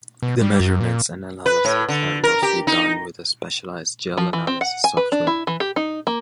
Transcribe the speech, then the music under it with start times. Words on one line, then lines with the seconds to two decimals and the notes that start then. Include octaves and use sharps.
The measurement and analysis are mostly done with a specialized gel analysis software.
0.23 B2
0.41 G3
0.60 F#2
0.80 A#2
1.46 B4
1.65 A2
1.89 D3
2.24 A#4
2.43 G4
2.67 D#4
4.17 F3
4.33 E3
4.47 C4
4.61 F#5
4.84 G#5
4.97 B4
5.12 D4
5.27 E4
5.47 E3
5.60 G4
5.76 D#4
6.07 A#3